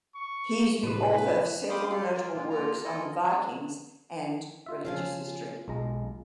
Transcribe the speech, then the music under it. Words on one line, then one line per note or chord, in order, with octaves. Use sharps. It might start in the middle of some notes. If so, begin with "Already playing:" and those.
He is the author of several notable works on the Vikings and religious history.
C#6
A2 C3 B4
F5 G5 B5 C6 D6 D#6
D#4 F4 G4 A4 F5
F4 A#4
A#2 D3 G#3 A#3 F4
A#3 F4 A#5
E4 F4 A4 D#5
F4 E5
C#3 F3 F4 F5 G#5
B1 G#3 A#5